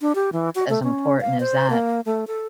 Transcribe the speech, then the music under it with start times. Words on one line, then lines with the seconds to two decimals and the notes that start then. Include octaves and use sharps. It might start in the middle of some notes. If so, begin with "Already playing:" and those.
as important as that.
0.01 D4
0.15 G4
0.33 E3
0.55 F#4
0.70 A3
0.83 C#4
1.21 F5
1.40 C5
1.70 A#3
2.06 A3
2.27 A4